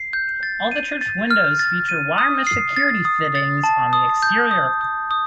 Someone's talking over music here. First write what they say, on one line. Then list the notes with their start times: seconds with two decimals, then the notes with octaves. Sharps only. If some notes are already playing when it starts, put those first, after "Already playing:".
All the church windows feature wire mesh security fittings on the exterior.
Already playing: C7
0.13 G6
0.43 A6
0.71 D#7
1.01 A6
1.31 F6
1.59 A6
1.89 D#7
2.18 D#6
2.47 C7
2.76 A6
3.05 D#6
3.35 A6
3.64 A5
3.93 D#6
4.23 G6
4.51 D#6
4.81 D#6
5.11 D#6